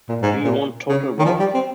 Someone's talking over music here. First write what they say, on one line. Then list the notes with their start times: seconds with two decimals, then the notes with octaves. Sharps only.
Do you want total war?
0.09 A#2
0.22 G#2
0.44 A#2
0.89 C#3
1.19 D#3
1.25 F3
1.39 G3
1.54 C4